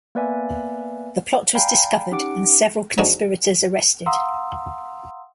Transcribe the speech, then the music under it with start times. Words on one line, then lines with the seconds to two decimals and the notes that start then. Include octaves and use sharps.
The plot was discovered, and several conspirators arrested.
0.15 A#3 B3 B4 D5 E5 G#5
1.55 D5 F5 G5 G#5 A#5 B5
2.12 C#4 D#4 G4 F#5 D6 D7
2.98 F3 G#3 D4 D#4 F#4
4.06 F5 F#5 A#5 C6 D#6 E6